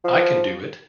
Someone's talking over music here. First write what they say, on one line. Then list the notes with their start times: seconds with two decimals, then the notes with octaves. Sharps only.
I Can Do It!
0.04 F3